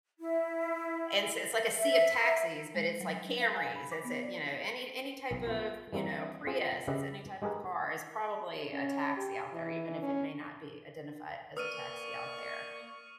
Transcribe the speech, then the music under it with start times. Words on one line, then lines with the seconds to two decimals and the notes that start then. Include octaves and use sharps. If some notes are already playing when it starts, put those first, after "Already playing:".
and so it's, like, a sea of taxis, but it's like Camrys, is is it, you know, any any type of, you know, Prius, it's any type of car. It's probably a taxi out there even if it may not be identified as a taxi out there.
0.20 E4
1.79 E5
2.75 G#3
3.01 F#3
3.41 F5
3.57 G#5
3.76 B5
3.92 D6
4.05 B3
4.23 D5
5.31 B1
5.47 B3 F4
5.93 E3 G3 A#3 C4
6.47 C4 F4 G#4
6.87 C#3 C#4 G4 B4 D#5 E5
7.42 G#3 G4 G#4 A#4 B4
8.73 C#4
9.17 G4
9.53 E3
10.02 C#4
11.57 A#3 B4 D5 C#6 D#6 F6 D#7